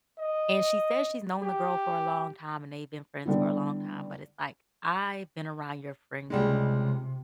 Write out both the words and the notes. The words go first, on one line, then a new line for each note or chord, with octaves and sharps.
and she says she's known the girl for a long time and they've been friends for a long time, but it's like, "I've been around your friend group
D#5
G4
D3 G3 B3 E4
C#2 C3 G3 G#3